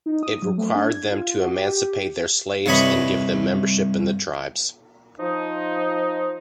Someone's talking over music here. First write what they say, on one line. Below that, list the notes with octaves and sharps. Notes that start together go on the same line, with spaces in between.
It required them to emancipate their slaves and give them membership in the tribes.
D#4
D#6
F#3
A3
D4
G#6
F4
F#4
G4
C2 G2 E3 C#5 D#5 B5
F3 D#4